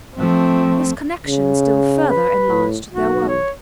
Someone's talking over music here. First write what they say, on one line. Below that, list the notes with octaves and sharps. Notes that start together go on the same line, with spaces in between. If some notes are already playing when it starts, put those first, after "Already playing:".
This connection still further enlarged their world.
F3 A3 C4
C#3
B4
A2
B1 F#4
C#5